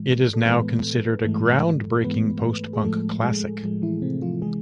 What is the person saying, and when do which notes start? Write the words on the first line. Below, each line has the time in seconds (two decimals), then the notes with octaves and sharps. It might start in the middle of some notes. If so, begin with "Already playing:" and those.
It is now considered a groundbreaking post-punk classic.
Already playing: A2 E3 G#3
0.34 A4
0.46 A2 E3 G#3 B3 B4
1.25 G#2 E3 G#3 A3 A4
2.04 G#2 E3 G#3 B3 B4
2.73 G#4
2.83 A2 F3 G#3 A3 A4
3.23 G#3 G#4
3.63 A2 F3 G#3
3.82 E3 E4
4.02 C3 C4
4.22 F3 F4
4.42 C3 E3 G#3 G#4